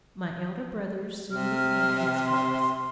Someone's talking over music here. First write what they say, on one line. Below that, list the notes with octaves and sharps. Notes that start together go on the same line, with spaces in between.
My elder brothers soon became experts.
C3 F6
C6